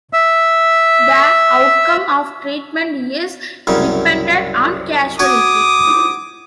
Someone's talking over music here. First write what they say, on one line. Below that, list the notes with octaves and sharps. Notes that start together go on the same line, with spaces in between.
The outcome of treatment is dependent on causality.
E5 E6
C2 F#2 C#3
F#4 G#5 D6 D#6